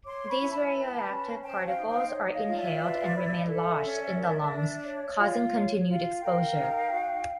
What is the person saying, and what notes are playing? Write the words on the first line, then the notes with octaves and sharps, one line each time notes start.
These radioactive particles are inhaled and remain lodged in the lungs, causing continued exposure.
C#5 C6 D6
B5 C#6
E4
A5 B5
B4
C#4
C5 G5 A5
F5 G5
D#4
F5 G5
C#5
D#5 F5
F4
D5 E5
B4
E4
D#5
A4 D5 E5
C#4
A#4
D4
C#5
F4
C#5
F4
A#4 F5 G5
D#4
F#4